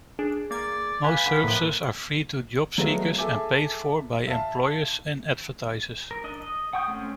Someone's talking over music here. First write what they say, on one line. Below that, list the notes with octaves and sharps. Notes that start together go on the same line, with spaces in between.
Most services are free to job seekers and paid for by employers and advertisers.
D4 G#4
A#3 D5 G#6
B4 F5 G#5
D3
A2 F3 A#3
F#3 G#3 A3 B3 F4
G#4 A4 E5 G#5 D6
E5 F5 A5
A#4
D4 D#5
D#5
F#5 G5 C#6 D#6 G6
G#3 A3 C4 C#4